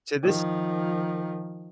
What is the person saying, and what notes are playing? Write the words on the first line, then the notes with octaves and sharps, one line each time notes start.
To this
D#3 F3